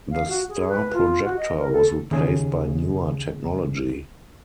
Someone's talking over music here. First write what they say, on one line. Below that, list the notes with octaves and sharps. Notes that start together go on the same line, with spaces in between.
The star projector was replaced by newer technology.
F5
F#4
G#4
B4
F4
F#4
D#5
A#4
A4
D#2 C#3 G#4